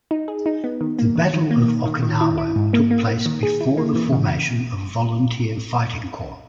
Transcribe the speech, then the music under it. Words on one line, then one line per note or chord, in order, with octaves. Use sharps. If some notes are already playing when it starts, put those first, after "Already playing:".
The Battle of Okinawa took place before the formation of Volunteer Fighting Corps.
D#4
G#4
D#4
B3
D#3
A#3
D#3
D#3
A#3
D#3
D#3
D#3
E4
E4
G#2
A#3
A#3
A#3
D#3
G#4
E4
A#3
E3
C#3